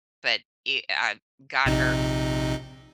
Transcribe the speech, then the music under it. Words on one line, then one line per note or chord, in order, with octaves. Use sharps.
But e I got her
A#1 C3 D#4